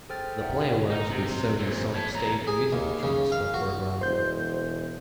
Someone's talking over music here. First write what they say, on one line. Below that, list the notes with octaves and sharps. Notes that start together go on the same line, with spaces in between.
The player works with Sony's SonicStage music transfer program.
G#4 A4 C5 G5 F6 A6
D#4 D5 E5 F#5 G5
G#4 A#4 B4 C#5 F5 G#5
D#4
C3
A#2 C4
C#5 A5
E2 A#5
G#4
D#2
C#3
F5
F#4
E1 C5 G6